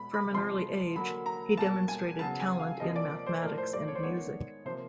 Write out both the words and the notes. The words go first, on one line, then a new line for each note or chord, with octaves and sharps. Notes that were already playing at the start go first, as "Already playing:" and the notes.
From an early age, he demonstrated talent in mathematics and music.
Already playing: B2 G#3 B3 B5
B5
C3 F3 G#3 C6
D3 F#3 A#3 B5
A#5
B2 G3 A#3 A5
G#5
C#3 F#3 B3 A5
G#5
F5
C3 F3 A#3 D#5
D5
C5
A2 F3 A3 A#4
C5
D5
C#5
C5
D#3 G#3 B3 C#5
C3 F3 A#3 C5